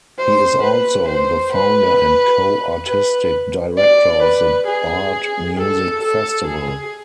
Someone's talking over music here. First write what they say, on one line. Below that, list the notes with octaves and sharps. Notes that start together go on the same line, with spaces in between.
He is also the founder and co-Artistic Director of the Bard Music Festival.
C5
B4
C5
B4
B4
D5
B4
G#4
A4
A4
G#4